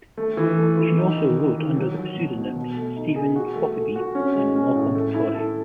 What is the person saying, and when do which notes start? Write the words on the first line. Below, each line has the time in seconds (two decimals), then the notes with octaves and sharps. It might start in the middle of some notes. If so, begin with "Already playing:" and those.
She also wrote under the pseudonyms Stephen Hockaby and Malcolm Torrie.
0.17 A3
0.37 E3
0.58 A3
0.77 E3
0.97 D#4
1.17 D#3
1.37 D#3
1.57 D#3
1.77 F#3
1.97 F#3
2.16 B2
2.36 B2
2.56 B2
2.76 A3
2.96 D#4
3.16 G#4
3.36 F#4
3.56 A3
3.76 A3
3.96 F#4
4.15 C#4
4.35 G#3
4.55 C#4
4.75 A2
4.95 A3
5.15 E4
5.35 A4